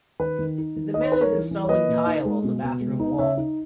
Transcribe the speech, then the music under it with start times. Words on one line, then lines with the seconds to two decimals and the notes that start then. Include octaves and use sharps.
The man is installing tile on the bathroom wall.
0.19 D#3 B4
0.39 D#3
0.58 D#4
0.76 D#3
0.94 D#4 D#5
1.03 C#5
1.12 D#4 B4
1.21 A#4 C#5
1.32 E3
1.51 E3
1.64 C#5
1.69 A#3 B4 D#5
1.88 A#2
2.06 D#4
2.25 G#3
2.44 B2
2.63 B3
2.81 G#3
2.99 D#4
3.19 C#3 C#5 E5
3.37 D#4